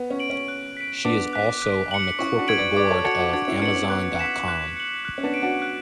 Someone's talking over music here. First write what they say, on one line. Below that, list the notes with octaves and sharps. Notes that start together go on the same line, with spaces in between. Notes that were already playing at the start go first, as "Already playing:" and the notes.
She is also on the corporate board of Amazon dot com.
Already playing: B3
C#4
D7 F#7
C#4
F#6
B6 D7
B3 D4 D6
F#6 B6
F#6
C#7 F#7
C#4 E4 C#6
D4 F#4
G#6 D7 F#7
B4 D5
B4 D5 D6
A4 C#5
F#4 A4 G#6 C#7
F#4 A4
D4 F#4 G#6
C#4 E4
B3 D4 C#7 F#7
C#4
B3 F#6
B6 E7
F#6
C#7 F#7
F#6
C#4
B3 D4
B6 D7
D4 F#4
F#6